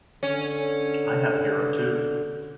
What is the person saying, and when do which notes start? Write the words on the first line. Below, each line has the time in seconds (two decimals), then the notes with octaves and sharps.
I have a hero too.
0.23 D3 C#4